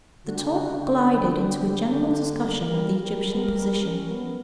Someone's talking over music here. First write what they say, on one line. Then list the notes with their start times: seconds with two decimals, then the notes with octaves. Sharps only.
The talk glided into a general discussion of the Egyptian position.
0.24 D3 F#4
0.36 G4
0.43 C#3 F#4
0.62 D3
0.80 G4
1.90 D3
2.45 G3 A#4
2.58 A#3
2.70 G3
3.00 G3 A#4
3.34 B3
3.45 A#3
3.56 G3
3.83 C#4
4.10 B3